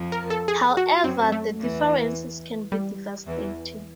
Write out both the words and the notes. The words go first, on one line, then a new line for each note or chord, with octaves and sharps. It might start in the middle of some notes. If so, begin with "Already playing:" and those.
However, the differences can be devastating.
Already playing: F2 F3
A#4
A4
G#4
F#4
F#2 F#3 C4
A3
E2 E3
G3
E2 E3